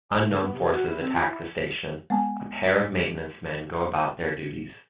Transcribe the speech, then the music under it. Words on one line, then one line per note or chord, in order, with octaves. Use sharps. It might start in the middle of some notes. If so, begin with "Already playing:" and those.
Unknown forces attack the station; a pair of maintenance men go about their duties.
A3
C#3
B3
C3
F#4
E4
C4
F4
E4
G#3 B3 G#5 A5